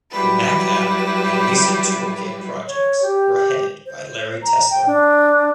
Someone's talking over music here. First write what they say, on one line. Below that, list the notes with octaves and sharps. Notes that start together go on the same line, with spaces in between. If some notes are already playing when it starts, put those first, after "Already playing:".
The MacApp and Lisa Toolkit projects were headed by Larry Tesler.
F#3 G3 E4 B4
C#5
G4
C5
A#5
G5
D4